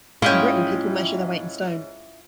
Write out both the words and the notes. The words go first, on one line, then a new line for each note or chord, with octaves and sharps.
In Britain people measure their weight in stone.
G#2 C#4 E4 F4 D#5 G5